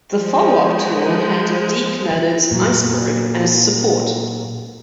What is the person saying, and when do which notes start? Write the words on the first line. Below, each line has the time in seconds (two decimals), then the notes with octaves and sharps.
The follow-up tour had Deke Leonard's 'Iceberg' as support.
0.19 F3 G#3
2.51 A#2 F#3